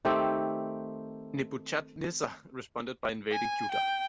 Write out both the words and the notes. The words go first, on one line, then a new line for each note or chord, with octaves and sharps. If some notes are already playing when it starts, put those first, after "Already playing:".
Nebuchadnezzar responded by invading Judah.
D#3 A3 C4 G4
G#5
G5